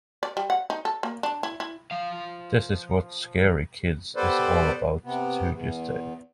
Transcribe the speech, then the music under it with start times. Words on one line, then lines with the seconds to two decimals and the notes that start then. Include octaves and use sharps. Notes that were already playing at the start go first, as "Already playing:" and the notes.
This is what Scary Kids is all about to this day.
0.23 D5
0.37 G3
0.50 F#5
0.70 D#4
0.85 A4
1.03 A#3
1.23 D4
1.43 E4
1.60 E4
1.91 F3 F5
4.16 G3 B3 A4 B4 C5 D5
5.04 C3 B3
5.50 E2